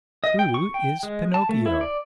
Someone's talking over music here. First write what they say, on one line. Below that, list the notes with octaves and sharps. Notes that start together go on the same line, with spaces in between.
"Who is Pinocchio?"
D#5
G5
C#6
G5
G#3
A5
A3
E4
D5